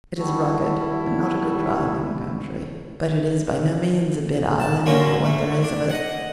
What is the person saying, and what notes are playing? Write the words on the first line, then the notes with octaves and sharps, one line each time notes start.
It is rugged and not a good driving country, but it is by no means a bad island for what there is of it.
D#2 G3 E4 F#4 A4
A5
D3 F#3 A#3 C#4 F4 F#4
A3
D4
D#5 F#5